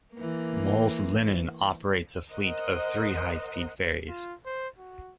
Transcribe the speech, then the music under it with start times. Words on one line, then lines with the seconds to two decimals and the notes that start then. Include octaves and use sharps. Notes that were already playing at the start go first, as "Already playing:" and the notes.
Mols-Linen operates a fleet of three high speed ferries.
0.14 E3 A#3
2.30 A#4 C5 D#5 F#5
4.08 F4
4.46 C5
4.78 F#4